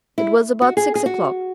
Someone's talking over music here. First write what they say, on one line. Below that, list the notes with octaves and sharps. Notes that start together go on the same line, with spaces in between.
It was about six o'clock.
E4
F#4
G#4
G#4
F#4